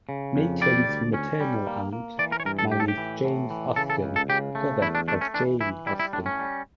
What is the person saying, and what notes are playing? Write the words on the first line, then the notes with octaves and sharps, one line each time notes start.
Maitland's maternal aunt married James Austin, brother of Jane Austen.
C#3
F2
G3 D5
D2
C#4
G3
A#3
A#3
E3 D5
A#4
C#5
G2 A#4
A4
A2 G4
A4
G4
E3
A2
E3
C#3 A4
A4
C#2
A4
C#3 G4
A3
E2 E4
D4
A3 D4
C#4
E3 D4
E3 E4
G3 E4
E4
A2 D4
C#4
G3